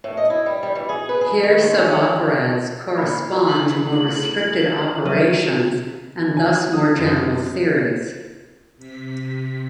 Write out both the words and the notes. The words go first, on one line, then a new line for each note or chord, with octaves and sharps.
Here suboperads correspond to more restricted operations and thus more general theories.
A2
D#5
E4
G3
G3
E3
G#4
B4
G#4
D#3
D#2
C#4
A#2 D5 B5
E3 F#7
A2
F#3 G3 B4 E5 D#7
G#5
D#6
F#2
C3 B6